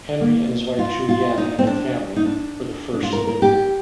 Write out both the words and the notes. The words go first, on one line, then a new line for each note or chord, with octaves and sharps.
Henry and his wife Juliana and their family were the first to live here.
A#3
F4
F4
D#4
C4
D4
D#4
D4
D4
F4
A#4
A#4
G4